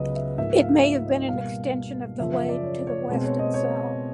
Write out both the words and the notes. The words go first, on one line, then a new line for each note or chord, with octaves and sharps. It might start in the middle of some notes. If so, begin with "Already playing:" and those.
It may have been an extension of the lade to the west and south.
Already playing: C#2 C#3 F#3 B3 B4 D#5
E5
G#2 F3 A#3 E5
F5
E5
D#5
B2 G3 A#3 F5
F#2 C#3 F3 E5
E5
D5
C#5
C#5
B2 G#3 C4
C#5
D#5
C#5